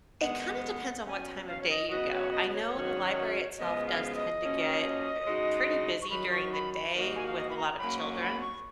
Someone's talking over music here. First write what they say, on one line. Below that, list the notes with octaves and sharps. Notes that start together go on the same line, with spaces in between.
It kinda depends on what time of day you go. I know the library itself does tend to get, uh, pretty busy during the day with a lot of children
F#2 D#3 G#3 B3 F#5
B2 F#3 C#4 G#5
F5
C#5
D#5
C#3 F#3 B3 F#4 D#5
C#5
D#5
D#5
C#5
G#2 D#3 F#3 C#4 F#4
F#2 C#3 F3 G#3 B3 D#5
F5
D#5
F3 A#3 C#4 F#4
C#3 G#3 D#4 F#4
C#6
F#2 D#3 F#3 B5
C#6
B5
B5
G#2 D#3 A#3 D#4 F#4
G#5
F5
D#5
B5
A#5
G#2 F#3 A#3 C#4 B5
C#6
B5
C#6